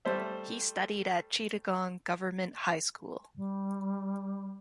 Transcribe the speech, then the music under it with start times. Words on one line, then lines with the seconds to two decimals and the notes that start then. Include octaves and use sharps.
He studied at Chittagong Government High School.
0.05 G3 A3 C5 E5
3.37 G3